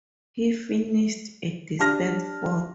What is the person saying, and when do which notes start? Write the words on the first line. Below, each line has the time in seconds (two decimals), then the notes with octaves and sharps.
He finished a distant fourth.
1.79 D4 G4 A5 F6 A#6